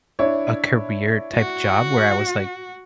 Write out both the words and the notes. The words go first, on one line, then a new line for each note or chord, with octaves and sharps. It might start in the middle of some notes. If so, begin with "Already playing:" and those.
a career-type job where I was like,
D4 E4 C#5
F#4